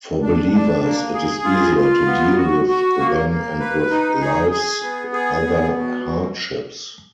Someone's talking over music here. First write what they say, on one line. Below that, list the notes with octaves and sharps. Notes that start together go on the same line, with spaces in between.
For believers, it is easier to deal with them and with life's other hardships.
D4
D4
A#3
G#4
F4
F4
B3
F#4
F#4
A#3
A#3
B4
D#4
G#4
G#4
B3
G#4
B3
B2